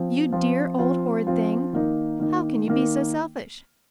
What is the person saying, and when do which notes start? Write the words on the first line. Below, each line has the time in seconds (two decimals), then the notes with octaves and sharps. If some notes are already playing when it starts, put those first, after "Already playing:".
"You dear old horrid thing How can you be so selfish?"
Already playing: F3 C4 F4
0.32 F3 C4 F4
0.79 F3 C4 F4
1.27 F3 C4 F4
1.73 D#3 A#3 D#4
2.20 D#3 A#3 D#4
2.68 D#3 A#3 D#4